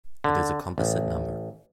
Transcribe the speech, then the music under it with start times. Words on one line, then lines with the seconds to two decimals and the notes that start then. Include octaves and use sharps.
It is a composite number.
0.24 D3
0.78 A1